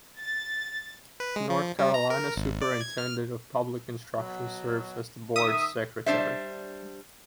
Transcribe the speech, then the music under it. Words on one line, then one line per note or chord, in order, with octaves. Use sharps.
The North Carolina Superintendent of Public Instruction serves as the board's secretary.
A6
B4
G#3
F3
G3
A#5
A#4
G#1
D5
G#6
F6
B2 F#3
D#3 E5 D#6
G3 D4 C5 E5